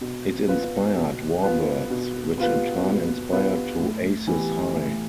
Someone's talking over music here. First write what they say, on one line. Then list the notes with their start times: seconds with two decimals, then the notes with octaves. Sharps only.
It inspired "WarBirds", which in turn inspired to "Aces High".
0.01 B2
0.48 B3 F4 B4
0.96 B2
1.43 B3 F4 B4
1.90 B2
2.38 B3 F4 B4
2.84 B2
3.32 B3 F4 B4
3.80 A2
4.27 E3 B3 E4 G4
4.74 A2